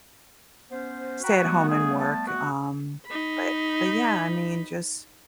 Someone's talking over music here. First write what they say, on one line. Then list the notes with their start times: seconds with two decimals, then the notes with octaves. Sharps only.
stay at home and work, um, but, but yeah, I mean, just
0.70 B3 C#4 C5
1.22 F#4 G5 A#5 B5
1.42 G3 A3 B3
1.69 G#4
2.00 A5
2.27 F#4
3.06 D#4 B5